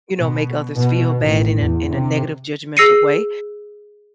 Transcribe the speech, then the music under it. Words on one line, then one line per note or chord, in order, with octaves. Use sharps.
you know, make others feel bad in a in a negative judgmental way.
B2
B2
A1
E2
C3
G#4 E6 A#6 C7 C#7 D#7